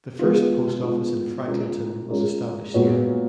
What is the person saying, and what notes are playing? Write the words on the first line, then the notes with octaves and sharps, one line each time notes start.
The first post office in Franklinton was established here.
G#3 B3 F4
G#3 B3 F4
G#3 C#4 F4 A#4
G#3 C#4 F4 A#4
A#2 G#3 B3 F#4 C#5